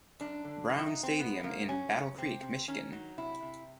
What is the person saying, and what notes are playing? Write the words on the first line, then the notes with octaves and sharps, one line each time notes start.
Brown Stadium in Battle Creek, Michigan.
F#2 D4
D3
F#2 D#4
E4
D#4
F#3
C4
F#2 B3
F#2 A#3
F#3 C#4
F#2
C3 C4
C3
D#3 C#4
F#3 D#4
C3 E4
C3